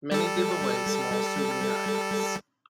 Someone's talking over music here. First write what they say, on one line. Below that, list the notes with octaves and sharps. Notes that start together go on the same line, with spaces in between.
Many give away small souvenir items.
G3 A4